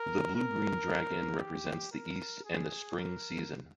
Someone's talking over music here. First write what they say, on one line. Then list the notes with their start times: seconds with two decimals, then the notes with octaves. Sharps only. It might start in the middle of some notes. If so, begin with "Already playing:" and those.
The Bluegreen Dragon represents the east and the spring season.
Already playing: A#4
0.35 A#4
1.40 G4
1.92 A#4
2.44 G#4
2.96 A#4